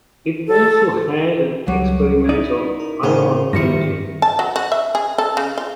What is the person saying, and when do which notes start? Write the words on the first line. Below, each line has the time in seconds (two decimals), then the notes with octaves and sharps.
It also had an experimental ion engine.
0.47 A4
1.68 C#2 F#3 G3
2.29 D#4 E4 D5
2.80 A#4
3.03 A2 C#3 G#4 A#4 C5
3.53 G2 D#3 F3 G3 E4 A#6 C#7
4.22 A5
4.39 F#3
4.56 F#4
4.72 E5
4.95 G#4
5.18 A4
5.37 C#3
5.58 F4